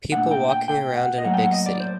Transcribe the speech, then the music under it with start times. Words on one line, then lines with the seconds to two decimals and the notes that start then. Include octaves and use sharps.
People walking around in a big city.
0.12 A#2 F#3 A3 D4 F#5
0.31 G5
0.49 G5
0.68 G5
0.96 F#5
1.18 D#5
1.24 A2 F#3 A#3 F#5
1.34 G5
1.38 F#5
1.52 D#5
1.66 D5
1.80 C5